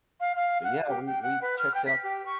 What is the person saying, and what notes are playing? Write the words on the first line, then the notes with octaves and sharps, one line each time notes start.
but, yeah, we we checked out
F5
F5
F#5
G4
G5
F#5
B4
F6
G5
B6
G4
C#6